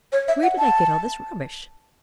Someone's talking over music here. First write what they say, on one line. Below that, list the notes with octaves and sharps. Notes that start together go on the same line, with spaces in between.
Where did I get all this rubbish?
C#5
E5
F#5
A5